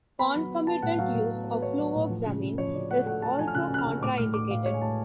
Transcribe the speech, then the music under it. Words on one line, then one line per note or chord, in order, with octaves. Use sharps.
Concomitant use of fluvoxamine is also contraindicated.
B3 B5
F#3
B3
B3 A5
A2 F#5
F#3 F5
A2
B3
B3
B4
B3 C#5
F#3
A2
F3
C#3
C#3
F3 C#5
C#3 D5
A3 F#5
A3 F#5
A3 A5
F3 G#5
F6
C#3 F#6
C#4 F#6
F6
C#3
A2 D6
A2 F6
A2 D6
A2 F5
G#3 C#5
G#5
A2 A5